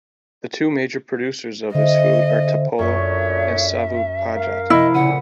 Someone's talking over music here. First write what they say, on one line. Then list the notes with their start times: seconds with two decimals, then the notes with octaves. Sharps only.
The two major producers of this food are Tapola and Savupojat.
1.75 D3 C5 D#5 E5
2.79 F#2 A#2 D3 C#5 E5 C#6
4.35 A#4 F5
4.70 C3 F3 A3 E4 D#5
4.94 A#2 C#3 F#5 B5 D#7